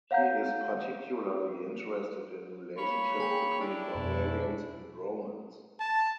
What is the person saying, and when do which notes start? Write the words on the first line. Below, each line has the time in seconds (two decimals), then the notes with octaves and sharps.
He is particularly interested in relationships between "barbarians" and Romans.
0.11 C#5 F5 F#5 A#5 G6
2.76 A#3 C#5 B5
3.20 G#4 G5
3.60 C#4 D4 E4
3.95 F2 B2
5.80 A5